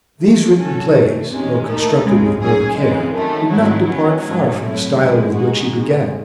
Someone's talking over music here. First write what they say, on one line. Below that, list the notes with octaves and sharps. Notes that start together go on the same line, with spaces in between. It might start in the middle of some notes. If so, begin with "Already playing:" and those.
These written plays, though constructed with more care, did not depart far from the style with which he began.
D#2 D#3 A3 C4
C3 F#3 C#4 F#4 A4
A2 E3 A3
E2 C3 D#3 G#3 C#4
D#2 D#3 A3 D#4 A4
C#2 C#3 G#3 C4
G#2 F#3 C#4 G#4
C#3 E3 G#3 C4
F#2 D#3 A3
G#2 D#3 F#3 C4 E4
E2 D#3 F#3 C#4
G#2 F#3 C#4
A2 F#3 A3 C4 E4
F#2 D#3 G#3 C4 E4
F#2 D#3 G#3 D#4 F#4
C3 D#3 G#3